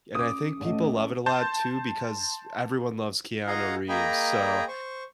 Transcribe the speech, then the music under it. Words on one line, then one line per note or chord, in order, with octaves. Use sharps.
And I think people love it a lot, too, because everyone loves Keanu Reeves. So
C#4 D6 D#6
A1 A3 D#5
A5 C6 G6
F4 G#4 D#5 F5 F#5 A#5
A#3 G#4 D#5 G5 A#5 B5
C5 C#6